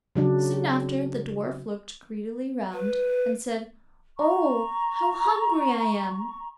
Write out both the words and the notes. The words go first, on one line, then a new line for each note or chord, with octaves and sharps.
Soon after the dwarf looked greedily round, and said: 'Oh! how hungry I am!'
C#3 F#3 D4
B4
A#5 C#6